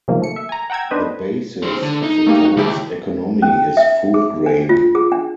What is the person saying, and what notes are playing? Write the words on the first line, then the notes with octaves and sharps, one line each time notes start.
The basis of the town's economy is food grain.
C3 D#3 F3 F#3 G#3 A#3
A3 C#7
E5
G#5 A#5
F#5 G5 A#5 E6 G#6
D4 D#4 B4 C5 D#5
C#4 C5
D3
D#4
A3 A#3 G4
F#4
D#2 C#3 E4 G4
C#4
E5
G#4
D4
F4
G#4
D4